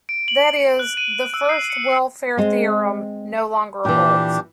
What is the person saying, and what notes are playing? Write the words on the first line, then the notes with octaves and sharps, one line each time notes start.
That is, the First Welfare Theorem no longer holds.
D7
F#7
F#6
D#7
E6
C7
C#7
G#3 C4
A#2 E3 D4 G4